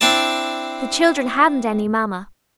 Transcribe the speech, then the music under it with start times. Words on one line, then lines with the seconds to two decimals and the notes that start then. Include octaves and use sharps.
The children hadn't any Mamma.
0.01 C4 D4 E4 D5 A5